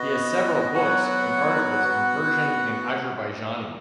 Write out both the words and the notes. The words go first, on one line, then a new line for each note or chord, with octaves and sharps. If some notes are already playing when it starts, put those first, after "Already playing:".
He has several books and articles in Persian and Azerbaijani.
Already playing: B3 F#4 D#5
F#3 B3 F#4 F#5
B3 F#4